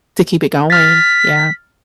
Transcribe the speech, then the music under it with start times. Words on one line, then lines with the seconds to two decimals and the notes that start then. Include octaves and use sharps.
To keep it going, yeah.
0.70 F6 A6 B6